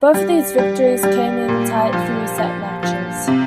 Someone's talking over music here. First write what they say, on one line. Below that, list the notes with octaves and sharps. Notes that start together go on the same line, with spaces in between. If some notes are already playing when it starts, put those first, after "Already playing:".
Both of these victories came in tight three-set matches.
G3
G3
G3
A#2
F3
F3
F3
C3